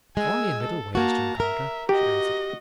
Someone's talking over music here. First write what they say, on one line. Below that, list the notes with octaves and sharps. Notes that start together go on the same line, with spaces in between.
"Only in little ways, John Carter," she answered.
G#3 G#5 E6
A4
A#3 F#4 A5 A#5
A#4 E5
F#4 G4 D#5